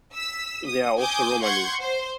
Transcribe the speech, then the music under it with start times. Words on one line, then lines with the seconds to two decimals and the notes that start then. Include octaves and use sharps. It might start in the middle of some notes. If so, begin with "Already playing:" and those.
There are also Romani.
0.15 E6 B6
0.67 D#6
0.98 G#5 D6 D#6 G6
1.42 F#5 C6 C#6 G6 G#6
1.81 C5